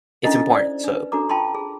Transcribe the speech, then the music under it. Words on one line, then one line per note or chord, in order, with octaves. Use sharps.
it's important, so
C#4 D4 E4 F4 A4 D#5
C5 D5
D4 B4
D4 F#4 A4 A#5 D6
F4 G5 A5 B5 C6
G#4